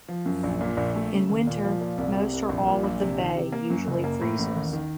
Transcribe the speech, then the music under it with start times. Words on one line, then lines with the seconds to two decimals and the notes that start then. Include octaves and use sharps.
In winter, most or all of the Bay usually freezes.
0.08 F3
0.26 F#2
0.43 A#1
0.61 A#2
0.77 A#1
0.96 A3
1.13 C#3
1.29 D#2
1.47 A#2
1.64 F3
1.81 A#2
1.98 C2
2.16 C3
2.33 C2
2.49 A#1
2.66 A#2
2.84 A#1
3.01 C3
3.18 D#3
3.35 C3
3.53 A#3
3.70 F#2
3.88 F#1
4.04 A#3
4.21 A2
4.39 A1
4.56 D#2
4.73 D#3